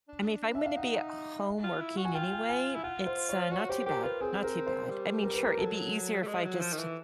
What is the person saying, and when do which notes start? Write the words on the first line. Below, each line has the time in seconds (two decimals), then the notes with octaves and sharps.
I mean, if I'm gonna be home working anyway, it's, uh, not too bad. Not too bad. I mean, sure. It'd be easier if I just
0.08 D4
0.55 E5
0.66 F5
0.77 D#4 F#5
1.64 F4
1.81 E4
1.97 F#4
2.05 G#5
2.15 F4 G5
2.32 G5
2.49 G#5
2.75 E4
2.83 F4 F#5
3.06 C5
3.29 C#5
3.52 F#4 C#5
3.69 G4 C5
3.86 G4 A#4
4.03 F4 B4
4.21 C4 G#4
4.44 A#4
4.67 C5
4.90 G3
5.23 A#4
5.34 B4
5.44 A#4
5.58 F#3 A4
6.22 A3
6.27 G#3
6.44 F#3
6.60 F3
6.73 D#3
6.78 E3